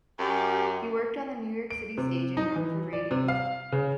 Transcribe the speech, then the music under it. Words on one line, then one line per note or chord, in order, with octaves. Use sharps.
He worked on the New York City stage and wrote for radio.
F#2 G4
D7
C3
D#4
E3
D5
C3
F5
C#3